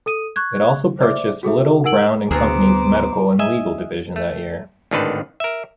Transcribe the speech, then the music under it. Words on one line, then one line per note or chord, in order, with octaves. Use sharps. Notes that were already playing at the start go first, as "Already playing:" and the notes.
It also purchased Little, Brown and Company's medical and legal division that year.
A4 D#6 D#7
C#6 F#6 G#6
C5 D5 E5 D6
F#4 G#4 A4 E5
D#4 A#4 F#5 E6 D7 F#7
D2 B3 C4 G#4 C5 A#5 D6
D#5 E5 G#5
A3
G#1 A2 D3 D#3 B4 A5
A#4 E5